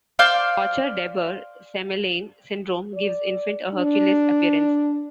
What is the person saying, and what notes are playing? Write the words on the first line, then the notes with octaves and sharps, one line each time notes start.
Kocher-Debre-Semelaigne syndrome gives infant a Hercules appearance.
C5 D5 F5 G5
D5
D4